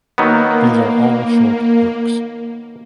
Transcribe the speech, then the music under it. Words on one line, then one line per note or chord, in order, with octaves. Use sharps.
These are all short works.
D#3 F#3 A#3 B3